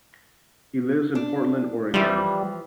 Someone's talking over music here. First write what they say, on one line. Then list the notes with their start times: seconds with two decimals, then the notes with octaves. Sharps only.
He lives in Portland, Oregon.
1.15 D4
1.94 E3 F3 G3